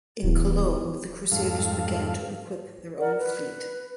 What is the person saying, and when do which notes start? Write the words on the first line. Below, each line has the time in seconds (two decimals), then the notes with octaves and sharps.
In Cologne the crusaders began to equip their own fleet.
0.23 D1 E2
1.32 F2 G#2 G3 A4 F5
2.99 A#4 D5 F#5
3.18 B4